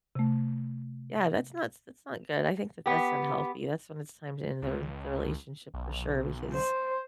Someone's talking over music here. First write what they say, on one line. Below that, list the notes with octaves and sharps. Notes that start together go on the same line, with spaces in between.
Yeah. That's not s that's not good. I think that that's unhealthy. That's when it's time to end the r the relationship, for sure, because
C3 A3
B3 G4
C#2
B1
C5